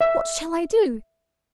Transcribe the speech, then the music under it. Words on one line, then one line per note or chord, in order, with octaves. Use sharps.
What shall I do?
E5